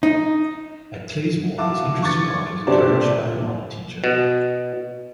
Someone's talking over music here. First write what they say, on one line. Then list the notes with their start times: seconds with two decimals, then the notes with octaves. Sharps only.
At Claysmore his interest in art was encouraged by an art teacher.
0.03 D#4
1.58 E4 F#4 F5 A5 D6
2.02 C#6 D6 G#6 A6 C#7
2.67 G1 C3 G3 C5 D5 A5
4.04 B2